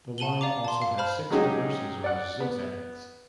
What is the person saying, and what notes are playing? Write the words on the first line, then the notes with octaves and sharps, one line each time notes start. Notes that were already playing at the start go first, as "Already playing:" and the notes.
The line also has six reverses or zig-zags.
F#5 A5 D#7 F#7 G7
D5 F5 A#5 D6
A5 C6
F5
C5 A5 B5 F6
F#3 G#3 C#4 D#4 G4 G#4
D5 F#5
B3